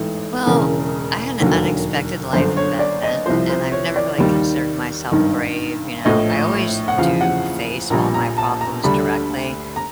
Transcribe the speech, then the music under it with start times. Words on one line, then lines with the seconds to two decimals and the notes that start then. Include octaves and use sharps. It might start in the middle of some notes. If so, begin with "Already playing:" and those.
Well, I had an unexpected life event, and I've never really considered myself brave, you know, I always do face all my problems directly,
Already playing: A1 G#2 E3 A4
0.46 E1 E2 C#3 A#4
1.40 E1 D#2 D3 F#3
2.33 G1 F#2 D3 C5
2.57 C#5
2.79 D5
3.03 D#5
3.26 C2 C3 F3 C5
3.49 C5
3.72 C#5
3.96 D5
4.18 D#2 D#3 G3
5.11 G#1 G2 D#3
6.05 A#1 A2 F3 D#5
6.88 F#5
6.98 E2 C#3 F3 F5
7.21 F#5
7.90 A#1 A#2 G3 A#5
8.14 A#5
8.38 A5
8.61 A#5
8.84 D2 D3 G3 B5
9.76 A#5